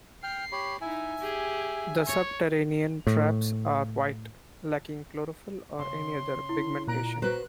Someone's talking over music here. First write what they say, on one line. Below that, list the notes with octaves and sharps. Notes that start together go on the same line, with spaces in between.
The subterranean traps are white, lacking chlorophyll or any other pigmentation.
G5 F6 C7
G4 C#5 B5
D#4 E4 E5 G#5
G4 G#4
C#5
A2
C#3 C6
E4
A#2 A#5 F#6 D7
F#4 B4 C5 F#6